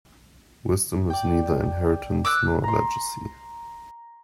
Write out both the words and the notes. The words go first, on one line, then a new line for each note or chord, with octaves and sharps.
Wisdom is neither inheritance nor a legacy.
D5 G5
D6 E6 F#6
A#5 C6